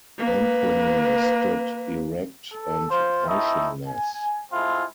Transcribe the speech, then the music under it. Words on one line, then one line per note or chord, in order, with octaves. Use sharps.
Anthony stood erect and motionless.
A#3 B4
A4
F4 C5
A3 C4 D#4 E4
G#5
G#3 A3 C4 E4 F4